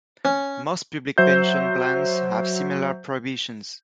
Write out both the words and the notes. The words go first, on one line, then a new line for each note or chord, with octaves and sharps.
Most public pension plans have similar prohibitions.
C#4
F#3 C5 E5 G6